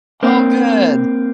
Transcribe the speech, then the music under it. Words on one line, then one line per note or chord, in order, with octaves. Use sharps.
Oh good.
A#3 C4